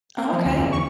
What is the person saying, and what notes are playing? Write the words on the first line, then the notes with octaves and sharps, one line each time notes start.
Oh, 'kay.
C4
F3
D2
E2
C#6